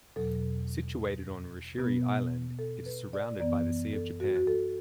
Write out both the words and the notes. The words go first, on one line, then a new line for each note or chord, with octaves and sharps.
Situated on Rishiri Island, it is surrounded by the Sea of Japan.
E2 B2 F#3 A4
B2 B3
A4
B4
D5
F#2 E3 B3 D5
A4
F#4
F#4
A4